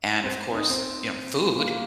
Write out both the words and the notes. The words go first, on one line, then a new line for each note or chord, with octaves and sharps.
and, of course, you know, food
C4
D#4
C4
A#3